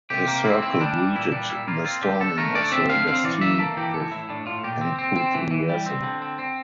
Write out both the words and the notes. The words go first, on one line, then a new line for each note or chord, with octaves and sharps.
His circle greeted the Storming of the Bastille with enthusiasm.
C3 G4
A#3
C4 E4
C4
G3 D4
E3
A#2 E4
G3 D4
A#2 E4
A#3 F4
C4 F4
D3 G4
D3 A4
A3 A#4
D3 D5
C4 E5
D3 F5
C4 F5
E3 D5
A#3 E5
A#3 A4
E3 G4
E3 A4
A2 E4
A2 D4
A2 F4
A#2 G4
C4
C4
C4
E3
E3
G3
C4
D3
C4
C4